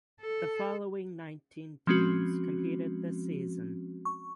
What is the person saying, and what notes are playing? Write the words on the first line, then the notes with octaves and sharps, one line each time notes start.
The following nineteen teams competed this season.
A4
F3 G#3 C4 C#4 F#4
C#6